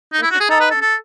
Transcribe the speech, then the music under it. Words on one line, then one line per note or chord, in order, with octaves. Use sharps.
What's it called?
D#4
E4
F#4
G#4
A4
B4
A4
A4